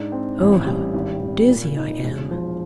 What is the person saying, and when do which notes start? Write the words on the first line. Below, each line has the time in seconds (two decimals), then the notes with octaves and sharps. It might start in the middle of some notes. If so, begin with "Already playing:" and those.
Oh, how dizzy I am!
Already playing: G#2 D4
0.12 C4
0.40 A1
0.67 G3
0.94 G#1
1.22 G#1
1.49 A#2
1.76 D#4
2.03 E1
2.31 F3